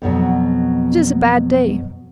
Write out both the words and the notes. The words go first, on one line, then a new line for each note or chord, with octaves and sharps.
'It is a bad day.
F2 B2 F#3